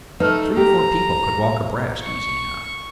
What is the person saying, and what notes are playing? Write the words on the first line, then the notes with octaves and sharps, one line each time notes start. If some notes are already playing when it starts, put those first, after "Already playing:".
Three or four people could walk abreast easy enough.
A3 D#4 B4 F6
G4 A#5
C#6